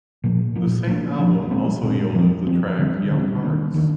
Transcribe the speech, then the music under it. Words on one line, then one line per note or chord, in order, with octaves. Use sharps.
The same album also yielded the track "Young Hearts".
A#2 F3 A#3
A#2 F3 A#3
F3 A#3 D4
F3 A#3 D4
A#2 G#3 C4
A#2 G#3 C4
F3 C4
F3 C4
D3 G3 C4
D3 G3 C4
D#3 A#3 D4
D#3 A#3 D4